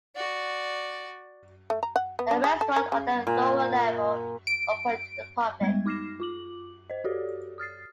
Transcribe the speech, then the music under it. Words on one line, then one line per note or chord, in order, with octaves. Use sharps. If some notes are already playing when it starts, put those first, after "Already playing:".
A restaurant on the lower level is open to the public.
F#4 D5
A3
A#5
F#5
B3
D4
G#4
A4
A#4
C#3
A#2
D7
G3 G#3 B3 G#6
D#4 D6 F6 A#6 C7 E7
F4 D6 F#7
C5 D#5
F#4 G4 A4 C#5 D5
D#6 F6 A6 C7